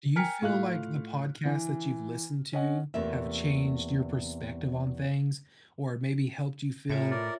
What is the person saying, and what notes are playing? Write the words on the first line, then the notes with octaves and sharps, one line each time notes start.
Do you feel like the podcasts that you've listened to have changed your perspective on things, or maybe helped you feel
G5 G#5 A#5 F6 B6 C#7
A2 F4 F5 F#6
E3
C#4 D#5 F#5
E2 C3 A3 A#3 F4 E5
A2 F4 C#5 E5
A#4 D5